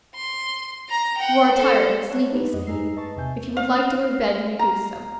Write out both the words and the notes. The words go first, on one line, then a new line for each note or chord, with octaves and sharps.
"You are tired and sleepy," said he; "if you would like to go to bed you may do so."
C6
A#5 A#6
F#5 G5
A4 C5
C5 C#5 E5 F#5 A5 F#6
D4 D#4 G4 B4
F2 G#3 D#5 F#5
G2 D#4 G#4 A#5 E6 C7
B4 D#5 A5 C#6 A6
E2 C3 E5 G#5 G6
F5
A#5